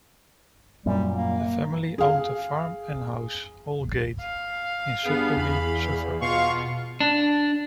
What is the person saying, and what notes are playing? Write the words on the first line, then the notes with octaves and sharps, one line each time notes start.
The family owned a farm and house, Holgate, in Sudbury, Suffolk.
F#2 A#2 G3
A#3
G#4 F5
F5
G2 B3 G#4
E2 B5
B2 F4 F5 C#6
D4